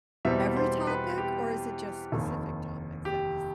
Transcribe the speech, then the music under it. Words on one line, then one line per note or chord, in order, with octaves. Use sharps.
every topic, or is it, just, specific topics that he's
E2 B2 G3 C4 E5
C5
B4
G4
F1 D#2 D#3
G4